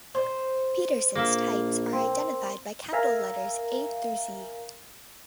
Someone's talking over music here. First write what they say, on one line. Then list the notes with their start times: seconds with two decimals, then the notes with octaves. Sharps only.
Petersen's types are identified by capital letters A-Z.
0.15 C5
1.15 A#1 A#3 E5
1.93 C4
2.93 A#4 E5 F5 G#5 A#5